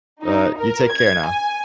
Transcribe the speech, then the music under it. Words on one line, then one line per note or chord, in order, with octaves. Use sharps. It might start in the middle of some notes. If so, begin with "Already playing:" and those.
But, you take care now.
D#4
A#4
G#6
G#5